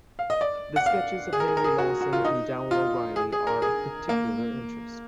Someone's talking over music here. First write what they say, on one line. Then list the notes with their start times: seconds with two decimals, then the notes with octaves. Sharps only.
The sketches of Henry Lawson and Dowell O'Reilly are of particular interest.
0.19 F5
0.30 D#5
0.41 D5
0.76 F#5
0.86 F5
1.33 G#4
1.40 A#4
1.48 G#4
1.57 A#4
1.64 G#4
1.78 F#4
2.01 F#4
2.13 F4
2.25 D#4
2.71 F4
3.16 G#4
3.32 G#4
3.47 A#4
3.62 G#4
4.09 A#3